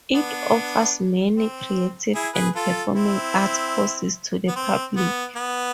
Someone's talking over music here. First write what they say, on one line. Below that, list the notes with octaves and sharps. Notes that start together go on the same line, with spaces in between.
It offers many creative and performing arts courses to the public.
B3 D4
C4
E4 G#4
G#4 B4
F4 A4
C4 E4
B3
C4
B3
B3